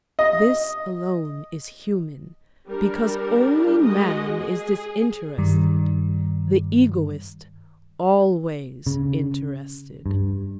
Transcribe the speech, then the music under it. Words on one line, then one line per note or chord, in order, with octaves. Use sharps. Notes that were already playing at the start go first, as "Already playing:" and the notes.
This alone is human, because only Man is disinterested, the egoist always interested.
D#5
G3 D4 A#4
G#3 F#4 D#5
G#4
G2 D#3 G3
C#3
G2